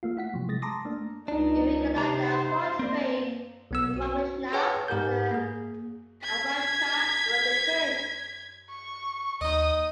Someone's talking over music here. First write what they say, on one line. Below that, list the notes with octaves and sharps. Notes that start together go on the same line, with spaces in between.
Vivekananda portrayed Ramakrishna as an Advaita Vedantin.
A3 A#3 F4
E4 F#5 B6
C3 F3 F#3
G#3 A6 A#6
A5 A#5 C6 D6 D#6 A#6
A3 A#3 D4
C#2 D4 D#4
C3 D#4 C5 A#5
A#3 C4 A#4 D5
B1 B3 E6
F#4
G#4 B4 C#5 F#5 G5 A5
G#2 G4 A#4 G6
A#3 G#4
G#6 B6
C#6
D#2 D#4 D#5 D#6